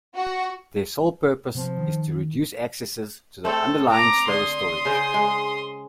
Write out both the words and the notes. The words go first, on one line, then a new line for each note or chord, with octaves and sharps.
Their sole purpose is to reduce accesses to the underlying slower storage.
F#4
C3 F3 B3
D#3
A3 C4 A4
A#5 D6
D3 C6 D#6
C#3 C5
G#3